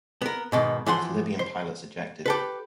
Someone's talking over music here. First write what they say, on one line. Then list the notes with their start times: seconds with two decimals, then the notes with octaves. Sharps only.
Both Libyan pilots ejected.
0.22 B3 A#4
0.52 G#2 B2 D#3
0.86 E3 F3 F#5 C6
1.39 C5
2.26 G4 A4 B4